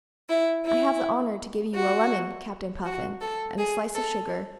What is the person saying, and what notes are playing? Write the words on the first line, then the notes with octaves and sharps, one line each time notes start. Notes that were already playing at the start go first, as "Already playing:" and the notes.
I have the honour to give you a lemon, Captain Puffin, and a slice of sugar.
E4
E4
F#4
F#4
A4
G#4
A4